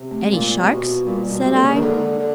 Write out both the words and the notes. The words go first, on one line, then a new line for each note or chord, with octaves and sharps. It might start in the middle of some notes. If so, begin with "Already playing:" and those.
"Any sharks?" said I.
Already playing: C3
A3
A#2 G#3
C3
B2
A#2 G3
B2
G#3
C3
D3 A#3
C#3
D#3
D3 G#3
D3